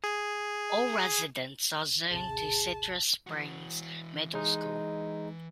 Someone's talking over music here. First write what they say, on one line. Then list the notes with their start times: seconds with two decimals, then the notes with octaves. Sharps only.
All residents are zoned to Citrus Springs Middle School.
0.04 G#4
2.11 A1 D#2 C3 G#4 A5
3.27 E3 F#4
4.34 G#3 D#4